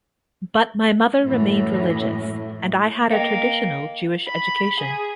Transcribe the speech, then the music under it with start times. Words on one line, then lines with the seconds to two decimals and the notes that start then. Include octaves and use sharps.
But my mother remained religious and I had a traditional Jewish education.
1.23 F#2 A2 E3
3.11 A#3 D#5 G5 C#7
4.27 B5
4.80 G#4